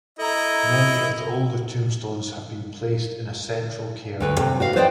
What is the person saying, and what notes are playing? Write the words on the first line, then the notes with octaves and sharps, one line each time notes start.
Many of the older tombstones have been placed in a central cairn.
E4 A4 D#5 A#5
D2 B4
C3
F#4 B4 F5
B4 C5 D5 D#5 F#5 G5